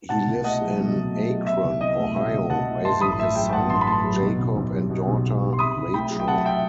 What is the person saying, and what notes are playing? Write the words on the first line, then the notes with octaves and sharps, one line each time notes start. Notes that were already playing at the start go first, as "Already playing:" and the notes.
He lives in Akron, Ohio raising his son, Jacob and daughter, Rachel.
B2 F#5 A5
C2
A3 D#5 F#5
F#3
B2
C2
A3
F#3
B2 E5
C2
C2 D#5
A3
B2 E5
C2
C2 F#5 A5
A3
G2 A5 C6
A1 B5 D#6
A3 E5
F#3 E5 G5
G5
G2 F#5 A5
A1 A5 C6
B5
A3 A5 C6
F#3
B2
B1
B1
G3
B2
B1
B1
G3
C6
C3 B5 D#6
C2
A3 G5 B5
F#3
G5
C3 F#5 A5
E5 G5